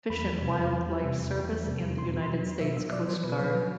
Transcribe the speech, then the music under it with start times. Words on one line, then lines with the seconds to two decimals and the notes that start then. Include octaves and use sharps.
Fish and Wildlife Service and the United States Coast Guard.
0.10 E2 B5
0.26 G3
0.42 C3
0.57 E2
0.73 E2
0.89 G3
1.04 C3
1.20 E2
1.35 E2
1.51 G3
1.67 C3
1.83 E2
1.98 B2 C6
2.14 B2
2.22 C6
2.30 F#3
2.45 F#3
2.61 B2 E5
2.76 B2 E5
2.92 F#3 D5
3.08 F#3 C5
3.24 B2 B4
3.39 B2 B4
3.55 F#3